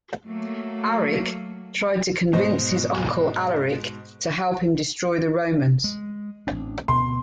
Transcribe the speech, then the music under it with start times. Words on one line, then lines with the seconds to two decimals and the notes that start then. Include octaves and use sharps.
Aric tried to convince his uncle, Alaric, to help him destroy the Romans.
0.25 F#3 A3 A#3
2.33 G#2 B2 C5 D#5
5.84 G#3
6.47 A1 C4 D4
6.88 D2 B2 C6